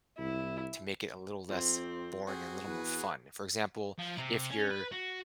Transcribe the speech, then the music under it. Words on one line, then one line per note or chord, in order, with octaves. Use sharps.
to make it a little less boring and a little more fun. For example, if you're
C2 E4
F2 C4
C4 F#4 G#4
E2 B4
F3
C3
C#4
B4
F#4